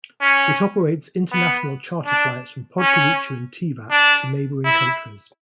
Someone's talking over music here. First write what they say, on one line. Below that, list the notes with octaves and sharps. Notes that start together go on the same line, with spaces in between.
It operates international charter flights from Podgorica and Tivat to neighbouring countries.
C#4
B3
D4
C#4
D4
E4